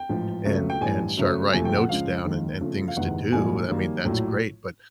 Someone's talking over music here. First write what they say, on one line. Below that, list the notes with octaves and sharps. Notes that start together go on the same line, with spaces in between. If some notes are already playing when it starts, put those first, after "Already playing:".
and and start writing notes down and and things to do. I mean, that's great, but
Already playing: G5
A1 G#2 F3
C#2 C#3 F#3 A3
G5
A1 G2 E3 G3 G#5
F#2 C#3 F#3 A3
F#1 F2 C3 F3 A3 G#5
G5
F#5
C#2 C#3 F3 G#3 F5
D#2 D#3 G#3
F2 C#3 F3 A3
F5
F#1 E2 C3 D#3 G#3 F#5
A#1 G#2 E3 G3 A#3 G#5
F#2 D#3 G3 A#3
A#1 A2 F#3